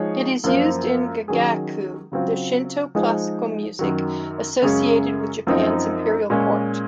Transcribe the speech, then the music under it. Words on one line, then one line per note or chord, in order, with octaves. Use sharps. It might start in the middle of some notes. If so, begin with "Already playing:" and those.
It is used in gagaku, the Shinto classical music associated with Japan's imperial court.
Already playing: F3 G#3 D#4 G#4 C#5
F#2 F3 A#3 F4 C5
D#3 F#3 C#4 G#4
C#3 F#3 C4 F4
F3 G#3 D#4 G#4 C5
F#2 D#3 F#3
F#2 C#3 G#3 C#4 G#4
F#2 F3 C4 D#4
A#2 G#3 C#4